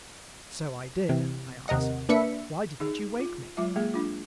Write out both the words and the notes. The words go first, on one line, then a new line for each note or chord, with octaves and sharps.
"So I did," I answered; "why didn't you wake me?"
C3 E3
D#2 C3 A#4 D#5 F#5
A#3 D4 B4 E5 B6 C#7
D#4 G#4
F4
F#3 G#3 F4 E5
G#3 A#3 G#4
D4 F4